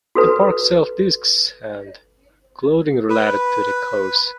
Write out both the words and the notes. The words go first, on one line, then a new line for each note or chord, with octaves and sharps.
The park sells discs and clothing related to the course.
F#4 A4 B4
B4